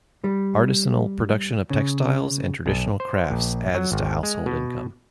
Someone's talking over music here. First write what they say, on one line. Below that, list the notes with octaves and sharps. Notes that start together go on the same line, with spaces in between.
Artisanal production of textiles and traditional crafts adds to household income.
G3
C#3
B1
C5
A#1
F#3
G#1
G#3
B2